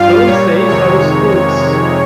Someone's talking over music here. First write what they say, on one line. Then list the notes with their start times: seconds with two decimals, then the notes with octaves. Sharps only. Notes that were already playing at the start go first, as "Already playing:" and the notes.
Don't say those things!
Already playing: G2 G3 F4 F5
0.27 A#2 G3 C#5
0.68 F2 C3 D#3 G#3 C#5